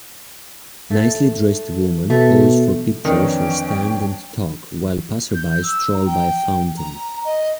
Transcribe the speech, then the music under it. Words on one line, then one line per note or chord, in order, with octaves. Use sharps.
Nicely dressed woman pose for pictures or stand and talk, while passersby stroll by a fountain.
A3
B2 A3
F2 D#3 C#4 D4 B4 C#5 G5
G6
E6
A#5
G5
A#5
D#5